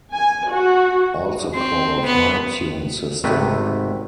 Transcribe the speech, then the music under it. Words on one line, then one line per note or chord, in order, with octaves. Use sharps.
Also called High Tune System.
G#5
F#4
C4
B3
G#1 C3 A3 B4